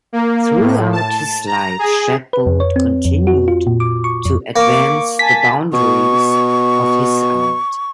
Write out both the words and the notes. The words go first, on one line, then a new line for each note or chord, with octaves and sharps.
Throughout his life, Shadbolt continued to advance the boundaries of his art.
A#3
A2
A5
A#5
G#4
B4
F2
C#5
C4
F2
F#4
F4
A#2
D6
C#6
F2
A#3 C#6 D6
G#5 A5 B6
B2 C#6